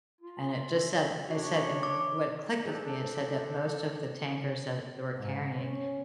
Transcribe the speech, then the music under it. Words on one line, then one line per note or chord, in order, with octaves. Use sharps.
and it just said it said and what clicked with me, it said that most of the tankers that they were carrying
F4
E5
D4 F#4 C#5
E3 D6
C4 D4 G#4 A4
G#2
C#4